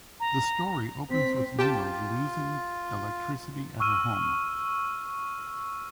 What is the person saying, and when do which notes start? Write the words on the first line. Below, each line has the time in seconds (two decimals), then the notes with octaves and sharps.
The story opens with Meenal losing electricity at her home.
0.20 A#5
1.11 C4 B6
1.59 F4 G4 G5 A5
3.80 C#6 E6 F6 D#7